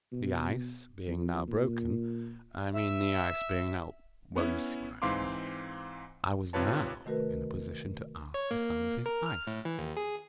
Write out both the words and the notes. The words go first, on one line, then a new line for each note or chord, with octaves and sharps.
The ice being now broken--I mean the ice being now--well, you see what I mean--I was now in a position to ask for some of his ice.
B2
F2
A#2
E5
B3 C#4 E4
G#2 E3 C4 F5 C6 D6
G#1 C3 F4 B4 C#5 A5
C3 D#3 A3 F#4 A#4 B4
C#5
A#3
A#4
F6
A2
E3
D#2
G#4